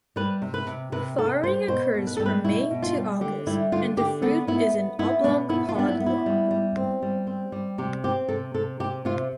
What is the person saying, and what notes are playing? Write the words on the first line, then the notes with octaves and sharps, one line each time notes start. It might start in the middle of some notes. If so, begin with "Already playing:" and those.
Flowering occurs from May to August and the fruit is an oblong pod long.
G3 B4
C3
B4
C3
C3 B4
C3 A4
G3 C5
B2 C5
B2
B4
G3 A4
B4
B2 E4
B2
F4
G3
D3 G4
G3 E4
D3 F4
D3 G4
B3 A4
B3 E4
B3
B3 E4
B2 D4
B3 E4
F4
B3 D4
E4
B3
E4
G3
G3
C4
G3
C4
G3
C3 G4
C4 G4
C3 A4
C3 A4
C3 G4
C3 F4